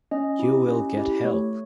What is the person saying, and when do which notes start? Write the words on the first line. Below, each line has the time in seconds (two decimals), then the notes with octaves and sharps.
You will get help.
0.11 C#4 D#5
0.39 E4 G4
0.68 C#4
0.97 E4 G4
1.24 A3 C#5